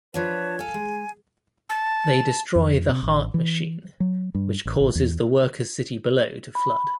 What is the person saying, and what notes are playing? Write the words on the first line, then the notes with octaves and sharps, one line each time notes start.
They destroy the Heart Machine, which causes the workers' city below to flood.
F3 D4 F4 B4 C#5 A5
A4 F5 G#5
G#3
A5
F2
C3
A1
E3
F#3
G2
A1
A1
E2
B5